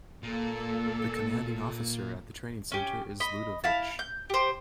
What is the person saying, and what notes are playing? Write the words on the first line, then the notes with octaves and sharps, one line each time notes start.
The commanding officer at the training centre is Ludovic.
A#2 A#3 A4
C#4 G4
D#5 B5
E4 F5 A5
G6
G4 C5